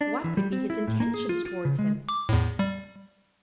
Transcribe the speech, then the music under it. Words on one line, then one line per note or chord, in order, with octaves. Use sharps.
What could be his intentions towards him?
D4
E3
G3
C4
E4
A2
A#3
G#4
F4
F4
C#3
G#3
D6
E2 A2
G3